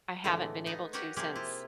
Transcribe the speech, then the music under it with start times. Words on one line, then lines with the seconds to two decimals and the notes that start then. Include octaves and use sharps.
I haven't been able to since
0.24 A2 D3 E3 G#3 A3 B3
0.66 B3 D#4
0.93 F#4 G4 A#4 B4 C#5
1.16 C3 F3 A#3 G4 G#4
1.36 E4 F4